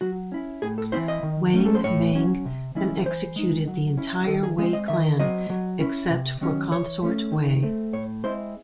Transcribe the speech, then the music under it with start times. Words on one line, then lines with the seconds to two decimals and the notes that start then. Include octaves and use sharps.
Wang Mang then executed the entire Wei clan, except for Consort Wei.
0.01 F#3 F#4
0.32 C#4 E4
0.62 A2 G#4
0.78 A4
0.92 E3 C4 E4 C5
1.08 D#5
1.23 D#3
1.54 A3 C#4
1.66 A4
1.75 C5
1.84 A2 C#5
2.15 F#3 C#4
2.45 C3
2.75 E3 G#3 C#4 E4
3.05 E3 C5
3.36 G#3 D#4
3.68 F#3
3.97 C#4 E4
4.27 D#3 A4
4.43 G#4
4.58 G#3 G#4
4.62 C4
4.73 D#5
4.88 D#3 E5
5.20 F#3 C4 D#5
5.50 F#3
5.80 C#4 E4
6.10 C3
6.41 D#3 F#3 C#4
6.72 E3 C#5
7.02 A3 C#4
7.32 D#3
7.63 A3 C4
7.93 A2 C#5
8.24 G#3 C4 E4 C5